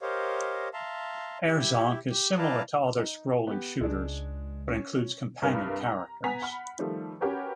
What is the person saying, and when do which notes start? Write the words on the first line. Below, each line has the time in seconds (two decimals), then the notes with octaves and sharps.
"Air Zonk" is similar to other scrolling shooters, but includes companion characters.
0.01 G4 A#4 C5 C#5 D#5 F5
0.74 E5 F5 A5 A#5 C6
1.46 E4 G4 E5
2.10 G4
2.38 E4 B4 D5 F5 A5 A#5
2.96 D#4
3.47 B3 G4
3.81 C#2 G#3 D4
4.68 C#4
5.42 C2 G2 A#4 B4 F6
5.86 A#5
6.24 B3 G#5 A#5 B6 F7
6.42 F#5 B5 F6
6.79 D#3 F3 G3 A3
7.21 C#4 F#4 G4 A#4 B4 C#5